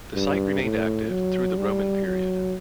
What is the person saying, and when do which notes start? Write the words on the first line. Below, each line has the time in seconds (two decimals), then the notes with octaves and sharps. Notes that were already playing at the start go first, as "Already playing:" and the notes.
The site remained active through the Roman period.
0.15 G2
0.63 A2
1.10 F#3
1.58 G3
2.06 F#3